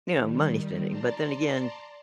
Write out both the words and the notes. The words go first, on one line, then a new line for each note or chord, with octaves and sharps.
you know, money spending. But then again
D#3 G3
D5 A5 A#5 C6